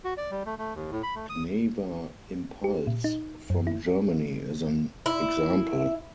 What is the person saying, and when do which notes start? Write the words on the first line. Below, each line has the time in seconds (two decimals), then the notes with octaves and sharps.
Gnawa Impulse from Germany is an example.
0.04 F#4
0.18 D5
0.31 G3
0.46 A3
0.59 A3
0.75 D#2
0.91 A2
1.03 B5
1.15 A3
1.30 D#6
2.64 G4
2.87 A#2
3.04 D#4
3.50 F#2
3.67 E4
5.06 E4